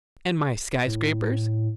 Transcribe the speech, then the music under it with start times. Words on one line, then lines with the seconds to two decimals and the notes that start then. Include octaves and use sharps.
"And my sky-scrapers?"
0.86 A2